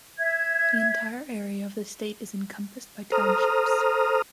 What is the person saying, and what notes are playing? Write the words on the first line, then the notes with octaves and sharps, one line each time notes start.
The entire area of the state is encompassed by townships.
E5 G#6
A4 C5 A#5 D#6 F6